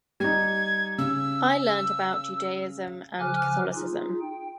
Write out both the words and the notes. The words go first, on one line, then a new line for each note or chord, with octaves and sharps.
I learned about both Judaism and Catholicism.
G3 D#4 G#6
C#3 E6
C#3 F3 G#5 D6 F6 F#6
D#4 F4 G#4
G5